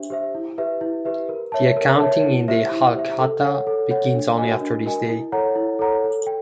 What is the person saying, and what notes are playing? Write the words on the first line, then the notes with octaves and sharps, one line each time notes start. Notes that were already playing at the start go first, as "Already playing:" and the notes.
The accounting in the "Halkhata" begins only after this day.
Already playing: D4 G4 C5 E5
G4 C5 E5
E4
G4 B4 E5
E4
G4 B4 E5
A#4
C#5 E5 A5
A#4
C#5 E5 A5
E4
G4 C5 E5
E4
G4 C5 E5
A4
C#5 F#5
A4
C#5 F#5
D4
F#4 A#4 D#5 G#5
D4
F#4 A#4 D#5 G#5
E4
A4 C#5 F#5 A#5
E4
A4 C#5 F#5 A#5
A4
G5